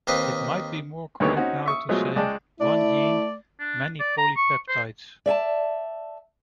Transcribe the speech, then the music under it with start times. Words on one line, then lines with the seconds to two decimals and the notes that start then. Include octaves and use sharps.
It might be more correct now to say "One gene - many polypeptides".
0.07 D#2 C4 B4 D#5 F5
1.20 D2 D3 D#3 B3 G4 C#5
1.36 C4 C#4 D#4 F#4
1.66 E5 C#6 D#6
1.89 B2 F3 F#3 G#3 A3 F4
2.16 C#2 G#3 D5 G5 A5
2.60 A3 E4 D5
3.60 D4
4.00 D5
4.18 A#5
4.36 C#6
4.68 C5
5.26 D5 E5 G#5 A5